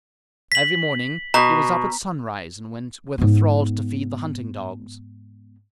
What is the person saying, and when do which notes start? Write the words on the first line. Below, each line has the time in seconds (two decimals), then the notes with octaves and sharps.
Every morning he was up at sunrise and went with a thrall to feed the hunting dogs.
0.52 B6 F#7
1.34 B2 A#5
3.18 G#2 B3